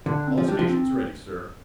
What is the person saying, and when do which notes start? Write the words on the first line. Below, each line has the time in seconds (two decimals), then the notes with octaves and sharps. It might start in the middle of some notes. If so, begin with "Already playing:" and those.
"All stations ready, sir."
0.06 D3 D4
0.27 C4
0.38 F3
0.48 G3 D4
0.59 F3
0.69 C4